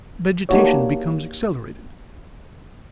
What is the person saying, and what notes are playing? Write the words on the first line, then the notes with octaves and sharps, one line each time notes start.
Vegetation becomes accelerated.
A#3 D4 D#4 F#4 G4 C#5